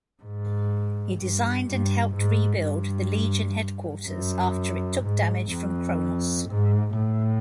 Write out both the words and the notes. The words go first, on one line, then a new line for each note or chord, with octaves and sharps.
He designed and helped rebuild the Legion Headquarters after it took damage from Chronos.
G#2
G2
G2
G#2
G2
F#2
G#2
F2
G#2
A2